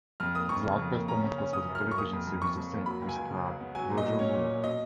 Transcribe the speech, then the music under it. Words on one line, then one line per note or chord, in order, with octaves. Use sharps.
His last performance was for the television series "The Saint" which starred Roger Moore.
F2 F6
A#3 D#6
F2 C#6
C#3
F2
A#3
C#4 A#5
C#3
C#4
C#4 D#6
F#2
F6
F#2
C#6
A#3 D#6
F2
F2
F2 C#6
F2
A#3
F#3 B5
C#2
G#5
C#2
C#3
C#2
B3
F#3 G#5
A#2
D#5
F#3
C#4 C#5
A#2
A#2
B2 D#5